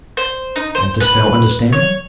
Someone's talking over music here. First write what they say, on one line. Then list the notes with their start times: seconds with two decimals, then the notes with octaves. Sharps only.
"And dost thou understand them?"
0.17 C5
0.56 D#4
0.75 C5
1.00 B4
1.73 C#5